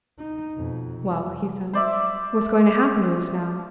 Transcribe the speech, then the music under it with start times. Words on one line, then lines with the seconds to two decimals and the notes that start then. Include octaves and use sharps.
"Well," he said, "what's going to happen to us now?"
0.18 D#4
0.54 F2 B2
0.97 C3
1.73 C5 D5 E5